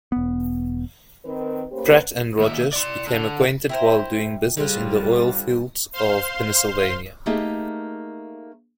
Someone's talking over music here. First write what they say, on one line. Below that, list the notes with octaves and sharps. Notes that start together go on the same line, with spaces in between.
Pratt and Rogers became acquainted while doing business in the oil fields of Pennsylvania.
E1 B3
D#3 C4 A#4 B4
A#3 C#4 G4 B4 C5
D#2 E5
D5 C6
D3
E4 A#4 C5 E5 G5
D3 G3 C4 F4 G#4
C5 F5 C6
A3 A#3 D#4 G4 G#4